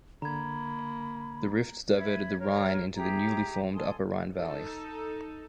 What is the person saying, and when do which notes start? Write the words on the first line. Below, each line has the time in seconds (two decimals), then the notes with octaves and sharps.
The rift diverted the Rhine into the newly formed Upper Rhine Valley.
0.22 D3 A#3 A#5 B5 G#6
1.97 E5 B5 G#6
2.38 A#4 C#5
2.95 G4 G#4 E5 A#5
3.73 A4 G#5 C6 D#6
4.35 D#4 A4